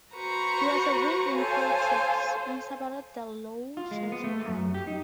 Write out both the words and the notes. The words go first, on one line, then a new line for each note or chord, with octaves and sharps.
He was a Whig in politics, and supported the Low Church party.
F#4 B4 C5 A#5 C#6
A4 C5 C#5 F5 G#5
F4
G#3
B3
A3
F#2
G4
D#4